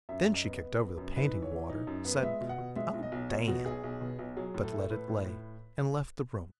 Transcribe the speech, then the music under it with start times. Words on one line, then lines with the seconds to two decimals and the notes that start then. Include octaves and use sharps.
Then she kicked over the painting water, said, "Oh, damn!"--but let it lay--and left the room.
0.09 F#2 E5
0.26 F#2
0.35 D#5
0.44 B3
0.62 B3
0.80 B3
0.98 F#2
1.16 D#4 B4
1.34 E3
1.42 C#5
1.51 E3
1.70 D#4
1.87 F#2
2.05 B3
2.23 G#3 E5
2.41 B2
2.49 F#5
2.58 B2
2.76 G#3 E5
2.94 B1
3.03 D#5
3.12 B1
3.29 B1 C#5
3.48 B2 F#4
3.66 B1 G#4
3.84 B1
4.01 B2
4.19 B1
4.36 F#3 G#4
4.54 A2
4.63 A4
4.72 A3
4.90 A2 B4
5.08 A2
5.26 A2